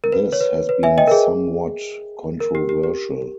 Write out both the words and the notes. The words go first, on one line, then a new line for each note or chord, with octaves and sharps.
This has been somewhat controversial.
A#4
B4
C#5
B4
B4
E5 G#5
D#5 G5
A#4
G#4
A#4
G4
G4
G4